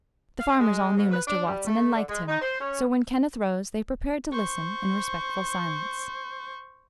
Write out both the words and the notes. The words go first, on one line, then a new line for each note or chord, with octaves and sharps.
The farmers all knew Mr. Watson, and liked him; so when Kenneth rose they prepared to listen in respectful silence.
F5
G#3
G#2
B4
D4
G3
A3
D3
G#3
D#4
C5
C#4
C5 C#6